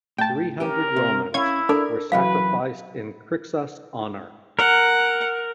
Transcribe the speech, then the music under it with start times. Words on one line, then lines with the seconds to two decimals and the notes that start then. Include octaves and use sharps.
Three hundred Romans were sacrificed in Crixus' honor.
0.18 A2 G5 A5
0.60 C#4 G4 A#4
0.96 C3
1.34 C#4 E4 C#5 F5 G#6
1.69 D4 A4 A#4 D5
2.12 F#2 E3 F#3 B4 F5
4.59 A#4 F#5